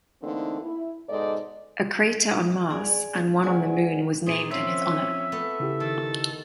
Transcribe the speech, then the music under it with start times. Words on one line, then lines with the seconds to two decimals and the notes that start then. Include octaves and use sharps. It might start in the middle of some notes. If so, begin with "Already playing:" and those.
A crater on Mars and one on the Moon was named in his honor.
0.22 D3 E3 A3 A#3 C4 D#4
0.61 E4
1.09 G#2 B2 A4 C5 D5 D#5
2.70 G#4 D5 G#5
3.42 A#3 G#4 C5 D5 F#5 G#5
4.26 A#2 G#4
4.51 F3 C4 C#4 E5
5.32 A3 B3
5.60 C#3 E4 G4
5.80 D#3 A4